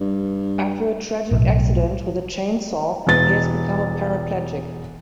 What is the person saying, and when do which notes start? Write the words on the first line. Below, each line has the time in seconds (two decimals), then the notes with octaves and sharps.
After a tragic accident with a chainsaw he has become a paraplegic.
0.01 G2
1.31 B1 A2
3.07 E1 A6